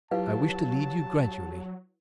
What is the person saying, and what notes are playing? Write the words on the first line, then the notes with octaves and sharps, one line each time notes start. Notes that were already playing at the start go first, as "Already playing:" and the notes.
I wish to lead you gradually.
F#3 E4 F4 G4 B4 F5 A5